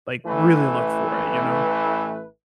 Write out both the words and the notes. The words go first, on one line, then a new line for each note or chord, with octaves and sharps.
like, really look for it, you know?
A1 E3 A3 B4